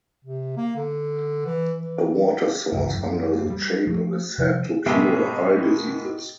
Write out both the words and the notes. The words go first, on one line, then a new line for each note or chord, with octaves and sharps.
A water source under the chapel is said to cure eye diseases.
C3
A#3
D3
E3
E3
G1 C#2 E3
F#2
G3
F3 A3
C3 D#3 F3 G3
G#2 B2 D#3 G4 G#4 E5